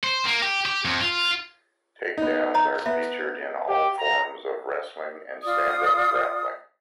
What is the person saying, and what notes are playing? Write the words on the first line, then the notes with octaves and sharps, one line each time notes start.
Takedowns are featured in all forms of wrestling and stand-up grappling.
C5
A#3
G4
G4
F2
F4
B3 D#4
C#5 D#5 A#5
B3 E5
G4
A#5
F4 D5 D#6